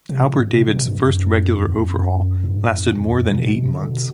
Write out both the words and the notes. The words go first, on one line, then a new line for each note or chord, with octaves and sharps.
Albert David's first regular overhaul lasted more than eight months.
C3
A#2
G#2
C3
C3
B2
G2
F#2
E2
F2
F#2
G2
G#2
F2
F2
E2
F2
A#2
B2
C3
D3
B2